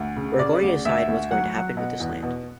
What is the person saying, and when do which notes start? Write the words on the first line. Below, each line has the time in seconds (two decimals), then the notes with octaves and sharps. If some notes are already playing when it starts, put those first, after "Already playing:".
We're going to decide what's going to happen with this land.
Already playing: D2
0.16 C#3
0.39 C#3 D5
0.62 D2
0.85 D2 E5
1.08 D2
1.31 F#3 F#5
1.54 F#3
1.77 B2
2.00 E2
2.23 B2